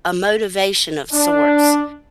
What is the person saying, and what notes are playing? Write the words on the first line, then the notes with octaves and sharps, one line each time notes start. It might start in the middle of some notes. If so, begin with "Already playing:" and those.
a motivation of sorts,
D4